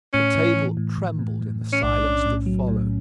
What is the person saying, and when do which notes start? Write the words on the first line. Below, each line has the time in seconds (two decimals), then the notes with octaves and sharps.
The table trembled in the silence that followed.
0.13 A2 C#4
0.35 A2
0.56 E3
0.77 A2
0.98 A2
1.19 A2
1.41 A2
1.62 A2
1.72 C#4
1.83 B1 D4
2.04 C#4
2.26 A2
2.46 F#3
2.68 A2